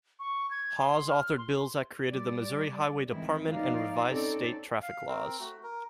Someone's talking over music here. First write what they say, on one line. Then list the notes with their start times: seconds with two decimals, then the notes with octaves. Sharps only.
Hawes authored bills that created the Missouri Highway Department and revised state traffic laws.
0.19 C#6
0.51 G#6
0.78 C6
1.09 F6
1.38 C6
2.08 G3 D5
3.10 D#3 E3 G#3 C4 E4
3.49 F3 A#3 D#4 D5 F5
4.06 C4 C#4 D#4 A4 D5
4.82 F5
5.08 C4 A#4
5.40 A3 F#4
5.63 A#4